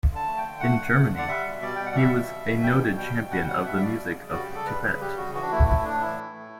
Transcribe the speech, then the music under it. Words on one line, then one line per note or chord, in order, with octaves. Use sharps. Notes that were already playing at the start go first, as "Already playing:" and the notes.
In Germany, he was a noted champion of the music of Tippett.
D3
A5
A3
G5
D3
A3 F#5
D3
A3
D3
D5
G3 E5
B2
G3 D5
B2 G5
F#5
G3 E5
B2
G3
B2
G3 G5
B2
G3 G5
B2
G3 F#5
G5
B2 F#5
G3 E5
E5
B2 D5
G3
C#3
G3 F#4
G4
C#3
A4
G3 B4
C#3 B4
G3 G4
C#3 F#4
E3 F#4
D4
A3 E4
A2 E4
E4
A2 D4
E3 E4
A3
A2